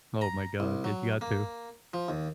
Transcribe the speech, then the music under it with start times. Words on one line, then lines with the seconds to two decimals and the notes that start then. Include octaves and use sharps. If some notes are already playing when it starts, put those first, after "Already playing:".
Oh, my god, ye you got to.
0.21 A#5
0.60 C2
0.84 F#3
1.21 A#3
1.94 F3
2.08 D#2